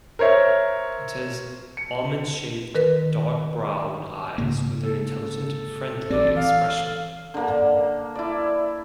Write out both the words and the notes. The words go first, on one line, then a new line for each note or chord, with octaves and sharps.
It has almond-shaped, dark brown eyes with an intelligent, friendly expression.
A#4 C5 C#5 E5
C#7
D#3 A#4 B4
G#2 C#3 A#3
A4
A1 C4 D5
E3 F5
D3 A#3
E4 D5